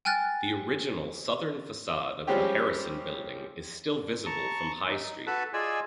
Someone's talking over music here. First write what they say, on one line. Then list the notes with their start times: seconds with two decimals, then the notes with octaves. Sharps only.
The original southern facade of the Harrison Building is still visible from High Street.
0.05 G5 G#5 F6 F#6 A6
2.27 F3 G3 G#3 C4 C#4 G4
4.26 A5 A#5 C#6
4.88 D#4
5.27 F#4 A4 B4 A5 B5
5.54 F4 G#4 D5 D#5 G#5 E6